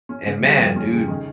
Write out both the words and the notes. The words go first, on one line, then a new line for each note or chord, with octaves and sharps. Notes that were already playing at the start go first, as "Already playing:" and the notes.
And man, dude,
C#4
C#3
G3
F2
C#4
C#3
D#3